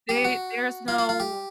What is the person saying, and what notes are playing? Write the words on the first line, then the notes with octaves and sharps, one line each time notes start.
they there's no
G4
F#4
F4
F4
F4
G4